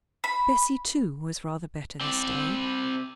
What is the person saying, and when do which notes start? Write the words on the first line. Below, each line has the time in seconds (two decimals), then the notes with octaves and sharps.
Bessy, too, was rather better this day.
0.24 B5
2.01 C4 D5